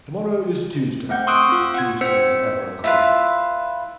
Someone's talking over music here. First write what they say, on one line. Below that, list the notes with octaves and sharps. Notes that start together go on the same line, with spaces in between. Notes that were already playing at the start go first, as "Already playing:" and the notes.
To-morrow is Tuesday, and Tuesday is ever a lucky day.
A3 C4 F#5 G6
C6 C#6 D#6 E6 F#6 D7
C4 F4
F#5 G#6
C4 C5 E6 G#6 B6 C#7
E4 F4 B4